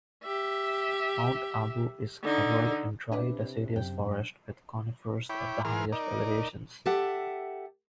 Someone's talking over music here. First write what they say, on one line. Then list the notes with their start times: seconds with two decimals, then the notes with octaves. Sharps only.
Mount Abu is covered in dry deciduous forest with conifers at the highest elevations.
0.23 G4 E5
2.22 D3 D#4
3.12 C3 D4 E4 B4 D5
3.76 F#2 G5
5.30 E4 C#5 G5 B5 D6
5.65 E3 G#4 A#4 C6 F6
5.92 D#4 A#4 D5
6.86 G4 A4 E5 F#5